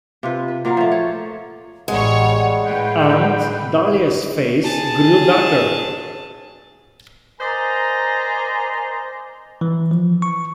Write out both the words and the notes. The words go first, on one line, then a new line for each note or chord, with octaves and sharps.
Aunt Dahlia's face grew darker.
C3 F4 B4
B4
A#2 F#3 A#4 F5
F3 A3
C#5
A1 G3 G#3 C#5 F#5
A2 B4 G5
G#4 A5
A#4 C5 D5 D#5 G#5 A#5
E3
F3
C#6